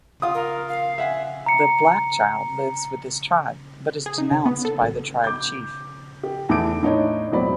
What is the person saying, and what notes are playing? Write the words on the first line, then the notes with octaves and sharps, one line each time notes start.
The "black child" lives with his tribe, but is denounced by the tribe chief.
F4 D#6
A#4
F5
E5 F#5 G#5
A#5 C#7
G#4
D#4
C#3
B3
A4
A1
D6 G6
G4
E2 A3 E4 D6 D7
A2 D4 D#4 C#5
E1 A2 F#3 C4 D5 B5